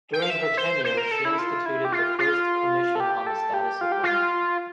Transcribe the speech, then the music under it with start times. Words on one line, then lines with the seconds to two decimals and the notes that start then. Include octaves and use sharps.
During her tenure, she instituted the first Commission on the Status of Women.
0.13 G5
0.22 F5
0.30 E5
0.58 C5
0.85 C5
0.97 A#4
1.11 A4
1.25 E4
1.39 F4
1.66 E4
1.85 G4
1.92 F4
2.19 F4
2.95 A4
3.00 G4
3.27 A4
3.54 G4
3.81 F4
3.92 G4
4.03 F4